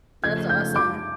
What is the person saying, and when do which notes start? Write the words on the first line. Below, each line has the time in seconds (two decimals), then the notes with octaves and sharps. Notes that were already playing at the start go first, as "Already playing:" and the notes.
that's awesome.
0.24 C#3 F3 A3 G#6
0.49 G6
0.76 D6